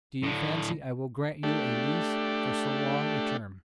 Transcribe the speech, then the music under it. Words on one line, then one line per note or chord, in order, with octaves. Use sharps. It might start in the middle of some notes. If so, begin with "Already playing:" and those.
Do you fancy I will grant you a lease for so long a term?
A2 D3
A3 D4 G4